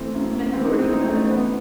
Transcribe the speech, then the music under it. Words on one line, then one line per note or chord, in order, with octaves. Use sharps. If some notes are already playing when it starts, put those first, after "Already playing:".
"You may have already heard?"
Already playing: E3 A3 C4
F#2
E3 C4
D#4
C4
F#2 D#4
A3 C4
C4
E3 B3